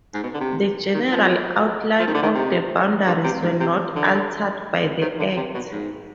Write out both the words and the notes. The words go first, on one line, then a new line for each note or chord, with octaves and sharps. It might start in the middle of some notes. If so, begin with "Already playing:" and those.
The general outline of the boundaries were not altered by the Act.
G#2
B2
D3
C3
D#3
F3
F3
D#3
D3
D#3
C3
G2
C3
G#2
C3
D3
D#3
D3
C3
B2
G#2